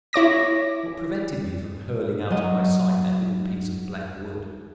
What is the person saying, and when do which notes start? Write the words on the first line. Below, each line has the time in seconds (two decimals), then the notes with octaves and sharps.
What prevented me from hurling out of my sight that little piece of black wood?
0.13 E4 C#5 D6 A#6
2.31 F#3 D#5